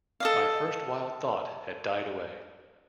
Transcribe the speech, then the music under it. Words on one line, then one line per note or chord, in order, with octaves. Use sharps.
My first wild thought had died away.
A4 D#5 F5